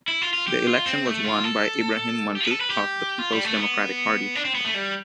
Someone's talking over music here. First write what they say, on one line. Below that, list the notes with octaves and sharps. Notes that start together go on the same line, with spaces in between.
The election was won by Ibrahim Mantu of the Peoples Democratic Party.
E4
F4
F4
G4
F4
C4
A3
F4
A4
G4
F4
B4
A4
B4
G4
F4
G3
A3
B3
D4
C4
B3
A3
G3